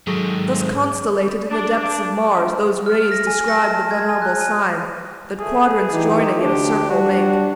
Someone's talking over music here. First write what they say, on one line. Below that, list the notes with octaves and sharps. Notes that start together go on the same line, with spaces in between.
Thus constellated in the depths of Mars, Those rays described the venerable sign That quadrants joining in a circle make.
G#2 D#3 F#3 G#4 A4 C#6
D4
F6
F6
A#6
G#5
A#6
A5
G#6
G#5
F#6
G#5
A3 G#4
E3 D#4 G4
D2 D4 G4
G3 F#4